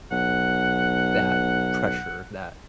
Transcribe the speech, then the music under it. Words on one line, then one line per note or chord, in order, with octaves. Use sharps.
that pressure, that
B1 F#5